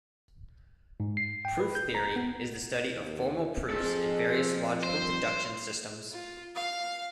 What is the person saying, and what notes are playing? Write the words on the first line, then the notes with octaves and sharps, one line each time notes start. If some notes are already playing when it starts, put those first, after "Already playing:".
Proof theory is the study of formal proofs in various logical deduction systems.
G#2
C7
G5
B4
G6
A#5
B3
D#2
F2 G#4 A4
G2 C5
F4
F5